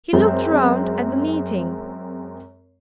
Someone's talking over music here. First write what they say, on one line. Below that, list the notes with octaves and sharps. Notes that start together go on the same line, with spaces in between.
He looked round at the meeting.
F#2 G#3 C4